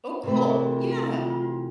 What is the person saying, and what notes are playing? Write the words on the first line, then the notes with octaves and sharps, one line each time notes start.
Oh, cool, yeah.
C3 E3 A3 B4
A#4
G#4
F#4
F4
F#4
E4
F4
F4
F#4